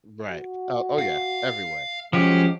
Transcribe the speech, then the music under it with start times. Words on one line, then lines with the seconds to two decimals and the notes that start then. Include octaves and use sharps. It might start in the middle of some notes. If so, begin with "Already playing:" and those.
Right, oh oh yeah, everywhere.
0.31 F#4
0.99 F5
2.13 F3 F#3 G#3 C#4 G4